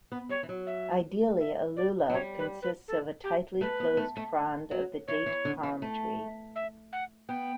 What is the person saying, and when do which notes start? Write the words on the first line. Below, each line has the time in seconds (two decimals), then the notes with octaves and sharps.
Ideally, a "lulav" consists of a tightly closed frond of the date palm tree.
0.12 B3
0.29 G3 C#5
0.43 E3
0.49 F#3
0.67 E5
1.41 E5
1.76 D5
2.10 F#3
2.13 G3 C#5
2.39 B4
2.62 B4
2.88 A4
3.24 G4
3.61 A3 B4
3.80 B3
3.97 A3
4.17 A3
4.71 F#3
5.08 E3 C#5
5.26 E3
5.45 D3
5.63 E3
5.82 A3
6.56 E5
6.93 F#5
7.29 B3 G5